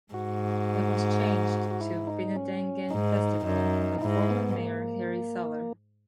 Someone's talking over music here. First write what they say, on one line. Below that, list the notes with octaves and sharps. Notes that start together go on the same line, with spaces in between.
It was changed to Binnadangan Festival by former Mayor Harry Soller.
G#2 F#4
F#4
E4
D#4
C#4
G#2 D#4
F#2
G#2 E4
B3
A#3